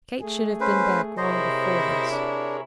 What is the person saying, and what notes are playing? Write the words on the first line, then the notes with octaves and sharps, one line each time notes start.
Kate should have been back long before this.
A3 G#4
C#4 B4 C5
C3 E4 G#4 A#4 C5 C#5 D#5
D4